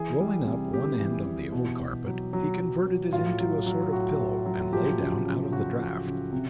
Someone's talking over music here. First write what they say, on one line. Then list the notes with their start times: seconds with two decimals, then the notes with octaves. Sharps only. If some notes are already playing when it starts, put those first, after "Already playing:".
Rolling up one end of the old carpet he converted it into a sort of pillow, and lay down, out of the draft.
Already playing: E3 G#4
0.20 G3
0.46 C3
0.73 C3 G4
1.00 E3
1.26 E3
1.52 B2
1.80 B2
2.06 F#3
2.33 F#3
2.60 F#3
2.86 F#3
3.13 A2 F4
3.40 F#3
3.66 F#3
3.93 A2 F#4
4.20 A2
4.46 F#3
4.73 F3 G4
5.00 C#3
5.25 C#3
5.52 C#3 F#4
5.80 F3
6.06 C#3
6.32 C3